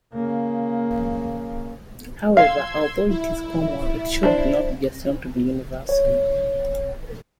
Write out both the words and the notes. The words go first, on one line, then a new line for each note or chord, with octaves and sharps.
However, although it is common, it should not be assumed to be universal.
C#3 A#3
F5 C6 E6 G#6
E4
D4 C5
C#5